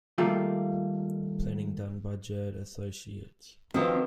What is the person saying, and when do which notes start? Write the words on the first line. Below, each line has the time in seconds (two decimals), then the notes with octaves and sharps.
Planning done by Jerde Associates.
0.18 D#3 G3 A3 A#3 F4
3.74 D#3 F3 C4 F#4 B4